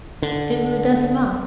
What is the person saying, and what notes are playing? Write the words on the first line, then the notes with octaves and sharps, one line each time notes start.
It really does smell.
D3